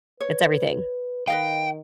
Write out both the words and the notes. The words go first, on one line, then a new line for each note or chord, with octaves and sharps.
it's everything.
B4 C#5
D#3 B4 D#5 F5 G5